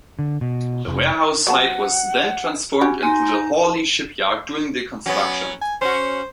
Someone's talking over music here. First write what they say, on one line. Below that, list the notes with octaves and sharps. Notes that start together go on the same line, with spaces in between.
The warehouse site was then transformed into the Hawley Shipyard during the construction.
D3
B2
F1
F#3 B3 F#5 A5
C#4 F#4 G4
D#4 G#5 C6
F#3 B3 C#4
G#5
C#4 F#4 C5